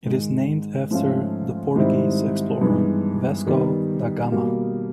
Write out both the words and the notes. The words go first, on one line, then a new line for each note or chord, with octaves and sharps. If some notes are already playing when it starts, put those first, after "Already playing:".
It is named after the Portuguese explorer Vasco da Gama.
G#2 D#3 G#3
G#2 F3 A3 C#4 F4
G#2 D#3 G3 C4 E4
G2 E3 G#3 B3 D#4
D#3 G3 B3
B2 G3 A#3